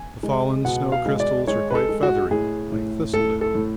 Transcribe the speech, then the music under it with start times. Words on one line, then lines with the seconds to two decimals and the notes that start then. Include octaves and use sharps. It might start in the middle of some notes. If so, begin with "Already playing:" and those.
The fallen snow crystals are quite feathery like thistledown.
Already playing: G#5
0.23 G#3
0.65 B2 F#5
0.92 F5
1.06 G#3
1.20 D5
1.47 G#3 C#5
1.71 B4
1.75 A4
1.89 G#3
2.03 F#4
2.31 A2 G#4
2.72 A2
3.14 A2 A4
3.41 A4
3.55 A2